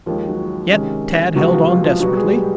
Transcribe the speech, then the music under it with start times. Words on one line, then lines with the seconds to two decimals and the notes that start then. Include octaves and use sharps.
Yet Tad held on desperately.
0.06 D#2 D#3 F3 G#3 F4
0.28 F#3 F#4
0.71 C3 D#3 G#3 C#4
1.35 C#2 C3 F3 F#3 G#3 B3 F#4
1.52 F3 F4
1.68 F3 F4
1.84 F3 F4
2.00 B2 F#3 G3 B3 F#4
2.17 G#3 G#4
2.33 G3 G4